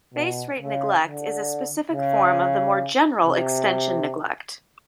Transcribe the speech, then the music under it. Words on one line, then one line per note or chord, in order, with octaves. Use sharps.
Base rate neglect is a specific form of the more general extension neglect.
B2
C#3
D3
C#3
C3